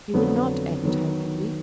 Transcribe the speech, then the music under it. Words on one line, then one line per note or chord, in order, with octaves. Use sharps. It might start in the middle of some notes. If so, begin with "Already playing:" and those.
He would not act hurriedly.
F2 D3 F#3 B3
D#3 F#3 B3